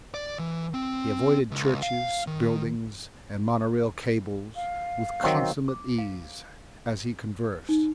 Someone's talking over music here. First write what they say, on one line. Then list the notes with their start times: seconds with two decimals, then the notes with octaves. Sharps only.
He avoided churches, buildings, and mono-rail cables with consummate ease as he conversed.
0.14 D5
0.39 E3
0.74 C4
1.51 C#2
1.82 F5
2.27 D#3
4.56 F5
5.24 D#3 F#3 C4
5.68 D6
5.98 F5
7.69 D#4